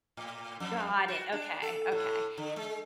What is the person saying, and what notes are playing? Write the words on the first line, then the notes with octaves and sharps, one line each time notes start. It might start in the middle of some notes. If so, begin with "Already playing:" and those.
Got it. Okay, okay.
A2
F2
F#4
D4
A4
A2
D3
G#3